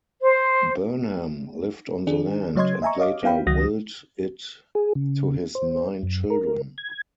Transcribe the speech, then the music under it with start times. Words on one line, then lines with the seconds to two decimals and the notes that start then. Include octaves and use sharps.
Burnham lived on the land and later willed it to his nine children.
0.21 C5
2.07 D#3 D4 G#4
2.56 C#3 F#3 C#5 D#5 C6 G#6
2.82 D#5 E5 G#5 A#5 C#6
2.98 C#5 D#5 F5 D6
3.23 B3 E4 F5 G5 B5
3.47 C#2 D#3 F#3 F#4 D#6 A#6
4.75 G#4
4.95 C#3
5.55 C5
6.03 F#2
6.30 A#4
6.78 G#6